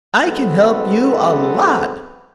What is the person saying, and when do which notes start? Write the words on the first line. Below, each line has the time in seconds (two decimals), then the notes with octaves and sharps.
"I can help you a lot."
0.25 B1 G#3 B3 C4 A4